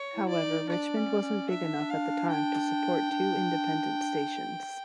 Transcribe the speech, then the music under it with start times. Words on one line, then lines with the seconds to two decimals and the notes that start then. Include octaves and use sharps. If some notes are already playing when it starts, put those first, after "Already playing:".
However, Richmond wasn't big enough at the time to support two independent stations.
Already playing: C#5
0.15 E4
0.28 D5
0.35 E4
0.42 D#4
0.68 D4 D5
0.96 C#4
1.22 C#4
1.50 D4 E5
1.90 F5
2.30 G5
3.11 D4